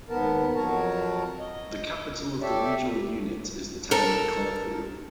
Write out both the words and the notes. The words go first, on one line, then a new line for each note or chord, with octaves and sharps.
The capital of the regional unit is the town of Corfu.
D#2 G#2 B3 A#4 A5
F2 F#3 A#4 C#5 A5 A#5
D#5
G4 A4 C#5 D5 E5
A4 A#4